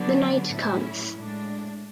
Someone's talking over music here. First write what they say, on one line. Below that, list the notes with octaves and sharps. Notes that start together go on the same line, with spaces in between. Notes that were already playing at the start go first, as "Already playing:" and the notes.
The night comes.
Already playing: D3 F#3 B3 D4
A2 F#3 C#4 E4
A2 G#3 D4